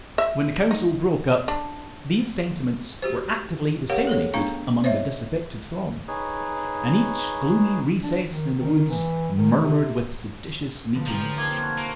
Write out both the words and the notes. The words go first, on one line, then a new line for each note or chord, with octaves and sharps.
When the council broke up, these sentiments were actively disseminated among the disaffected throng; and each gloomy recess in the woods murmured with seditious meetings.
E5
D#4
D4
F#4 G4 C5
G4 A#4 C#5 F5 F#5
G#4 A4 C#5
A3 B3 D4 F5 A#5 C#6
C5 C#5 D#5 E5
D#4 G#4 B4 C#5
D4
D#3
D#3
E3
D#3
C3
B2 D3 F3
F3 C#4 D#4 G4 A#5
A#3 C4 A5 G#6
F#4 F5
A#3